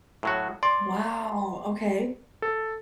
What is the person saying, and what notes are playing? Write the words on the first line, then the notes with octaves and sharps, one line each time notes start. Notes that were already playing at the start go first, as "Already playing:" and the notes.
Wow, okay.
A2 F#3 F#4
D5 C6
A4